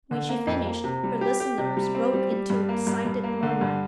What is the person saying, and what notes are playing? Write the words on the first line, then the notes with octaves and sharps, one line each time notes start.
When she finished, her listeners broke into excited murmur.
D3
A#3
F2
A#3
C3
G3
G4
G4
C3
G3
C4
G3
G3
G2
A#3
G2
G2
A#3
D3
G2